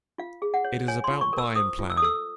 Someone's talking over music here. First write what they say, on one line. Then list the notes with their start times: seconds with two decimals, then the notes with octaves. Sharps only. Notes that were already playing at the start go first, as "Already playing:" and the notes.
It is about by in plan.
0.18 F4 F5
0.42 G#4
0.54 F#5
0.64 C#5
0.88 C#5 G#5
1.04 C6
1.10 F4
1.21 C#6
1.33 A#4
1.38 E6
1.56 C5 D#6
1.79 F4
1.90 E6
1.97 D#6
2.02 A4 E6